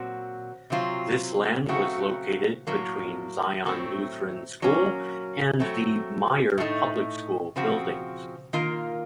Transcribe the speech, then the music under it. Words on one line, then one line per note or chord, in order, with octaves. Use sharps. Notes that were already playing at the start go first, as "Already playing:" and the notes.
This land was located between Zion Lutheran School, and the Mayer Public School buildings.
Already playing: A#2 F#3 C4 F#4
C3 F#3 C4 F4
C#3 F#3 A3 C4 F#4
A2 F#3 A#3
A2 F#3 A3 C4
F#3 A#3 C#4
F#3 A3 C4
A2 A3 D#4
C#3 F3 C4 F#4
D#3 A#3 F4 A#4